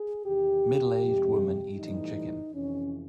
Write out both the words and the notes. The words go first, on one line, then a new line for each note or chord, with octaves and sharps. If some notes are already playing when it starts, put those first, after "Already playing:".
Middleaged woman eating chicken.
Already playing: G#4
E2 C3 D#3 G4
F2 C3 F3 G#3
A2 E3 G3 D#4
F2 C3 E3 C#4